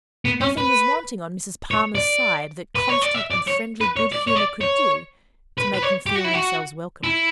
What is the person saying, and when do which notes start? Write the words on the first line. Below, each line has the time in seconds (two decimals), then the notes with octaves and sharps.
Nothing was wanting on Mrs. Palmer's side that constant and friendly good humour could do, to make them feel themselves welcome.
0.25 B3
0.41 C#4
0.58 B4
1.71 C#5
1.95 D5
2.75 B4
2.89 C#5
3.02 D5
3.15 E5
3.32 D5
3.48 C#5
3.81 B4
3.97 C#5
4.13 D5
4.28 C#5
4.36 D5
4.61 C#5
5.58 B4
5.74 B4
5.82 C#5
6.06 G4
6.15 F#4
6.24 E4
6.34 F#4
7.04 E4